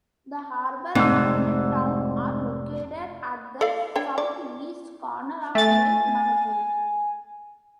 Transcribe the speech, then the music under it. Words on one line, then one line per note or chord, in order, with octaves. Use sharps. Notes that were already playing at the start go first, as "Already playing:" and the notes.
The harbour and town are located at the south-east corner of Lake Manapouri.
F1 G#2 C4 E6
A4 D5 F5
D4 C#5 G5
D5
A3 G#5 A6